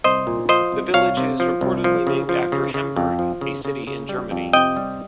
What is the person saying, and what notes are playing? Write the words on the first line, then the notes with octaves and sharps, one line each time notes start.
The village is reportedly named after Hamburg, a city in Germany.
C2 C5 D#5
A#2
F3 C5 D#5
C2
C2 C#5 F5
C3
F3
C2
F3
C#3
F3
C#3
C#3
F2
F3
C#3
C#3
C#3
G3
F2
C3 D#5 G5
G3